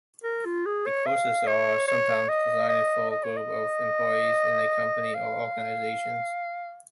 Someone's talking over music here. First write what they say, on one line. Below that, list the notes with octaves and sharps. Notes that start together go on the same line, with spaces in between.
The courses are sometimes designed for groups of employees in a company or organizations.
A#4
F4
G#4
C#5
F5
C#5
C#5
D#5
D#5
D#5
C#5
D#5
F5